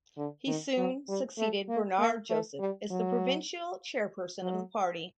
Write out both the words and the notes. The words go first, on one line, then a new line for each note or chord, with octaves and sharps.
He soon succeeded Bernard Joseph as the Provincial Chairperson of the party.
D3
D#3
F#3
G3
A3
A#3
A#3
A3
G3
F#3
F#3